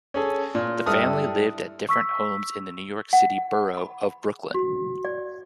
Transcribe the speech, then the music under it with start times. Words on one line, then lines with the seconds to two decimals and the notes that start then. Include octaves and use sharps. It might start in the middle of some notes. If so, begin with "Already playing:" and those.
The family lived at different homes in the New York City borough of Brooklyn.
0.14 C#4 G#4 A4
0.55 A#2
0.86 G2 E4 A4 D#6 F6
1.89 C#6 E6 B6
3.13 F#5
3.77 B5
4.54 F#4
5.05 D5